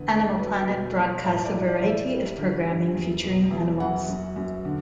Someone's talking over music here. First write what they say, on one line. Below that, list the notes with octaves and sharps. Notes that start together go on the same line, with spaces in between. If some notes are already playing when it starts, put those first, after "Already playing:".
Animal Planet broadcasts a variety of programming featuring animals.
Already playing: E2 D3 B4
D3
F#3 B4
B2
B2
A2 C#5
D5
A2
D5
E3
E5
G3
D3
G2
E2
B2
E2
F#2 F#5
F#2
F#2
D3